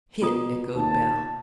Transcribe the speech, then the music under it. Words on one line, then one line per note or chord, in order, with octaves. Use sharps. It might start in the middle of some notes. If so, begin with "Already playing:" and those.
"Hit!" echoed Bell.
B2 F4 A#5 D#6
D#2 A5